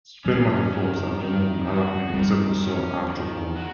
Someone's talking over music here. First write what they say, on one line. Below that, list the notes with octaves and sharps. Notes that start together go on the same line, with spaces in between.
Spermatophores are the norm in arachnids and several soil arthropods.
F#3 C#4
D#3
D#3
F#4
D#3 G3
C#4
D#3
F#4